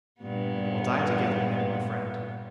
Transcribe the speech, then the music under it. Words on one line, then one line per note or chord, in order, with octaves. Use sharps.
"Then we'll die together, Ned my friend."
G2 A#2 B3